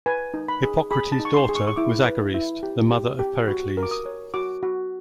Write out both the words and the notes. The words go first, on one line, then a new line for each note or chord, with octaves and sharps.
Hippocrates' daughter was Agariste, the mother of Pericles.
B4 G#5
D#4
B5
G#4
G#4 B5
A5
D#4
C#6
C6
G#4
C#6
C#6
E4 D6
B4
E4
G4
G4
G4
F#4
A#4
D6
D#6
C#5
F#4 D6
F#4